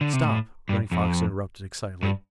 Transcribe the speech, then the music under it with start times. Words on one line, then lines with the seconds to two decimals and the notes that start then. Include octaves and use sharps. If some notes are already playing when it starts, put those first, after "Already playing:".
"Stop!" Running Fox interrupted, excitedly.
0.01 D3
0.13 C3
0.25 A2
0.69 G2
0.92 F2
2.03 G2